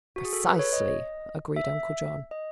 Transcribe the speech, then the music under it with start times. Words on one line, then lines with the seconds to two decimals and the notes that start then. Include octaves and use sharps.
"Precisely," agreed Uncle John.
0.16 F#4
0.25 G#4
0.33 A4
0.46 B4
0.59 C#5
0.73 D#5
1.56 E5
2.31 D#5